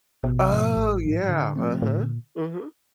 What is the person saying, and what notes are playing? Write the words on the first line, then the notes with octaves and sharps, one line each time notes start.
Oh, yeah, uh-huh, mhm.
A1 B2
C3
G#2 F3
B2
A1 A2
G#2 F3
D3
F3 A3 C4
A2 D3
A#2